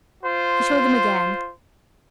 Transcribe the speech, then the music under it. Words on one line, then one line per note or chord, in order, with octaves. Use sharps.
He showed them again.
F4 C5